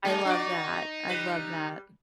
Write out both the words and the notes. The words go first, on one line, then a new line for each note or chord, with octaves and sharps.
I love that. I love that.
G#3 D#4
D4 F#4 D5
G3 B4